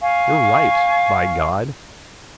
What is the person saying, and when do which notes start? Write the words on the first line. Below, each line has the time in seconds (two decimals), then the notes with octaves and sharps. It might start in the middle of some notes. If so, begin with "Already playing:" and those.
You're right, by God.
0.01 F5 G#5 C#6